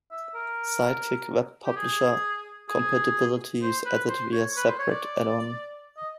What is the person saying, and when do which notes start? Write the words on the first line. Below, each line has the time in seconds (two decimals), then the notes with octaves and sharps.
Sidekick Web Publisher compatibility is added via separate add-on.
0.12 E5
0.35 A#4
1.66 G4
1.76 G#4
2.69 G#4
3.63 C5
3.86 B4
4.09 C5
4.33 C#5
4.57 B4
4.69 C5
4.79 C#5
4.91 D5
5.97 D#5